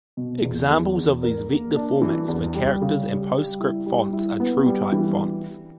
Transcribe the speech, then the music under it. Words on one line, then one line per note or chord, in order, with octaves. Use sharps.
Examples of these vector formats for characters are Postscript fonts and TrueType fonts.
B2
E2
E2
E2
A#4
A#3
D4
E3
E2
G3
C#3
G3
G3
E4
G3
E4
B3
G3
E3